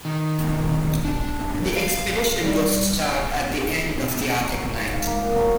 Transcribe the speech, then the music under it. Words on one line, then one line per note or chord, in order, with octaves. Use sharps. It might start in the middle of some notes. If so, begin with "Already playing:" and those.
The expedition was to start at the end of the Arctic Night.
D#3
D4
F5
G3
G5
F#3
C#6
G#2
F5
A#3
A#2
F#3